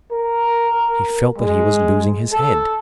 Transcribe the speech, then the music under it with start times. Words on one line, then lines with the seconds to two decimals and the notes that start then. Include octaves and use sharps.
He felt that he was losing his head.
0.12 A#4
1.38 G#3
2.33 A4